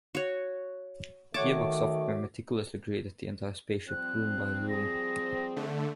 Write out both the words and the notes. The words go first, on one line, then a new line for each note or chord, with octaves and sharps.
Gearbox Software meticulously created the entire spaceship room-by-room.
F#4 C#5
D#3 A3 F#4 C#5 A5 D6
F3 G3 C4 F#6
G#4 A#6
D3 A3